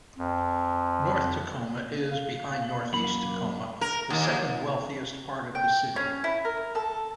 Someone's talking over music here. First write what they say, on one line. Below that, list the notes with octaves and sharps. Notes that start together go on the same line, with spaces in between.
North Tacoma is, behind Northeast Tacoma, the second wealthiest part of the city.
F2
C#4
F5
F#2 A#3 B5
A#4
D#2
G5
C#4
E4
A#4
A4